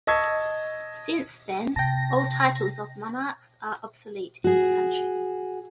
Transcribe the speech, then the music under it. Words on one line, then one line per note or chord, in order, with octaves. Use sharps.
Since then, all titles of monarchs are obsolete in the country.
D#5 A5 C#6 E6 G#6 B6
C3 G5 A5 A#6
F#4 G#4